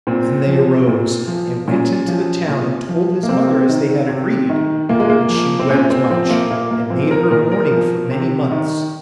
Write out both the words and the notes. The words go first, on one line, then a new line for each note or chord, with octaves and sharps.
Then they arose and went into the town and told his mother as they had agreed, and she wept much and made her mourning for many months.
A#2 C4
F3
A#2
F3
A#2 C#4
F3
A#2
F3
A#3
C3 C4
D#3
C3
D#3
A#2 A#3
G#3
A#3
F3
C4
A#2 C#4
C4
F3 C4
A#3
A#2 A#3
A#3
F3 C4
A#4
A#2 A#4
A#4
F3
C3
D#3